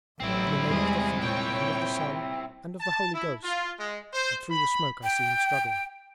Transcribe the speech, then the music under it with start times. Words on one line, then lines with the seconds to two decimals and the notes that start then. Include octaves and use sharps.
"In the name of the Father and of the Son and of the Holy Ghost"... and through the smoke I see him struggling.
0.20 A1 F#3 C4 E4
0.69 E2 G3 G#3 G#4
1.21 A#2 C#5 G5
2.79 A5
3.14 E4
3.43 F4
3.78 G#3
4.13 C5
4.50 B5
5.03 G5